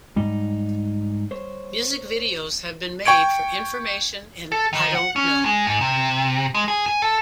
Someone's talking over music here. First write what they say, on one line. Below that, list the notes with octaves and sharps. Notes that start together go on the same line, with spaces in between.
Music videos have been made for "Information" and "I Don't Know".
G#2 G3 D#4
C5 C#5
G5 C#6 G#6 D7
A4
D#3
F#5
C#4
G#3
G#2
C3
G#3
G#4
G#5
A4